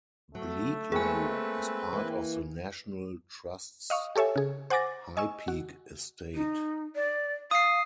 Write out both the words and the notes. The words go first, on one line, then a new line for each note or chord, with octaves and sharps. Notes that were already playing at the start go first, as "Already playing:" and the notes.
Bleaklow is part of the National Trust's High Peak Estate.
F#3 A3
G#3 A#3 C4 G#4 B4 G#5
E3 A#3
D#5 F5 C#6 D#6
G4 A4 C#5 E5 G#5
C#3 G#4
C5 F#5 G#5 D6 A6 A#6
D#5 G#5 C#6 E6
F#4
D#4
D5
F5 D#6 C7